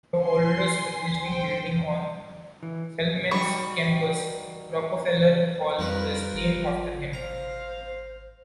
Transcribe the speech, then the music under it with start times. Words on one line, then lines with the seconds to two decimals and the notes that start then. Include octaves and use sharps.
The oldest existing building on Spelman's campus, Rockefeller Hall, is named after him.
0.21 G#5 C6 C7
1.21 C5 G5
2.63 E3
3.31 G3 D#4 F#4 B5 C#6
5.79 F2 F3 G3 D#4 A#4 B4
6.34 G#1 F4
7.13 C5 F5 A#5